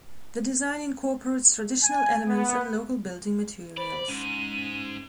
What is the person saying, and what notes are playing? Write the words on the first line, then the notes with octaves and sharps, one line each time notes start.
The design incorporates traditional elements and local building materials.
G#5
B3
C5 D5 B5
G#2 C#4 D#7